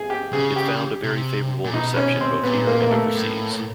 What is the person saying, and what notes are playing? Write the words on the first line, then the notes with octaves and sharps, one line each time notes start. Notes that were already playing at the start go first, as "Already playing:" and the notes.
It found a very favourable reception both here and overseas.
Already playing: G#4
G4
C#3 G#4
G4
C3
A#2
B2 D#4
C#4
C4
A#2 B3
A#3
A#3
A3
A2